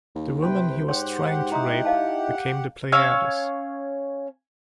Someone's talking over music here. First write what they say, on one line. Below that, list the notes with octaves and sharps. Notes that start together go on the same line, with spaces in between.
The women he was trying to rape became the Pleiades.
D#2
C3 B4 C5 G5
C2
G#2 G4 C#5 F#5 C6
D#4 E4 A#5 C6 D#6
D#5 F5 A5
C#4 C#5 F5 E6